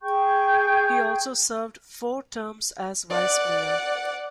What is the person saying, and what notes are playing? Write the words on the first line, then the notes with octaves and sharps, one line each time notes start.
He also served four terms as vice-mayor.
G#4 G5 C#6 G6
D5 F#5